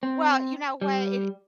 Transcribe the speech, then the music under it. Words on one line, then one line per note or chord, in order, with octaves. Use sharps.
Well, you know what, i
C4
G3